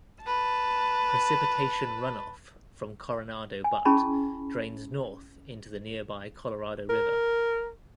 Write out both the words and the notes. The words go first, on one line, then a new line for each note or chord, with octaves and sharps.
Precipitation runoff from Coronado Butte drains north into the nearby Colorado River.
B4 A5
G#5
C#4 E4 G#4 A5 B5 C#6
A#4